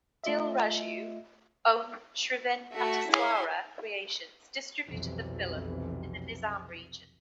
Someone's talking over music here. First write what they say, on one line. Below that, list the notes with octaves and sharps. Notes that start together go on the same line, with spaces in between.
Dil Raju–owned Sri Venkateswara Creations distributed the film in the Nizam region.
A3 F4 D#5 E5
A3 F#4 E5
E4 G#4 C#5 G#5 C6
B1 F2 C3 E3